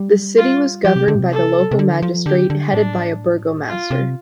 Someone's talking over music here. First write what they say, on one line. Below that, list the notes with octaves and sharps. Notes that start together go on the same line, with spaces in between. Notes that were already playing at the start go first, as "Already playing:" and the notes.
The city was governed by the local magistrate headed by a burgomaster.
Already playing: G3
F4
F3 G4
C3
D3
A2
C3
A4
C3
D3
F3
D3 G4
D3
A2 D4
F4
C3